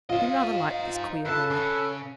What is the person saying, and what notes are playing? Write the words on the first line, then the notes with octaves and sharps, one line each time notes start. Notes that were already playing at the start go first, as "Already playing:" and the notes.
He rather liked this queer boy.
F4 C5 D#5
D#4
G2 A4 B4 A5
C#3